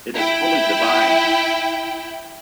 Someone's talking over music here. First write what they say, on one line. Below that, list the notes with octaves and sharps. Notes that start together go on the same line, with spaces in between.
It is fully divine.
E4 G5